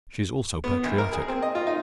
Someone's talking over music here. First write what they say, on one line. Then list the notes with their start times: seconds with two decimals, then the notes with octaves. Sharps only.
She is also patriotic.
0.64 B3
0.83 A#1
0.98 A#4
1.13 G#4
1.28 C4
1.42 D#5
1.55 F4
1.67 D#4